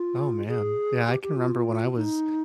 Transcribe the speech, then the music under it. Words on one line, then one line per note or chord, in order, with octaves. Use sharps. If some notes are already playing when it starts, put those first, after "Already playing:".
Oh, man. Yeah, I can remember when I was,
Already playing: F4
G#4
G4
G4
F4
D#4